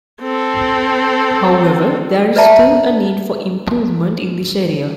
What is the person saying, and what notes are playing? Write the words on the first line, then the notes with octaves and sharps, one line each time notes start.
However, there is still a need for improvement in this area.
C4 A4
B4 D5 E5 A5 A#5